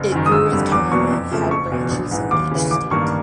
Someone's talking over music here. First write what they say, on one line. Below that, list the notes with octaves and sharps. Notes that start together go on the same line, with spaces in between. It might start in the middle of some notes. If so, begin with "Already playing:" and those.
It grew with time and had branches in each state.
Already playing: F#1
F#2 D#3
D#6
G1 E6
F2 D3 G3
E2 D6
B2 F#3 A#3 D4 C#6
F2
C#3 F3 A3
F#1 C#6
E2 B2
A#1
G#2 E3
D#2 D6
C#3 E3
A1 D6
G2 D#3 G3 A#3 C#6